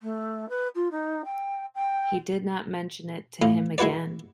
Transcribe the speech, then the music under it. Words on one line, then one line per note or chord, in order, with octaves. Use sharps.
He did not mention it to him again.
A3
B4
F4
D#4
G5
G5
A2 F4
G#3 E4 F#4 B4 D5